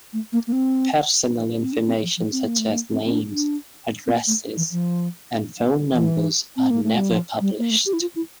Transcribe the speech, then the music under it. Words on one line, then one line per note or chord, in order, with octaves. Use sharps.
Personal information such as names, addresses, and phone numbers are never published.
A3
A#3
A#3
C4
C4
D4
C4
F3
F3
C4
A#3
A3
A#3
C4
C4
D4
D4
C4
A#3
A3
E3
F3
E3
C4
A#3
A3
G3
F3
G3
A#3
A3
G4
E4
F4
E4